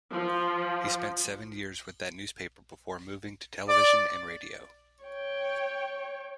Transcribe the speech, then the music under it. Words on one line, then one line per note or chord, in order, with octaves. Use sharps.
He spent seven years with that newspaper before moving to television and radio.
F3
D5
C#5 G5